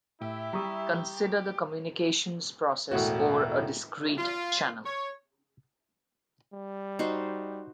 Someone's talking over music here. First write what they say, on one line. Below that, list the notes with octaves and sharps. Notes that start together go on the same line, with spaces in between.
Consider the communications process over a discrete channel.
A2 E4 G4 E5
G3 A#5 C#6 D#6
E1 A2 F#4
F4
C#5
G3
D#4 F#4 C5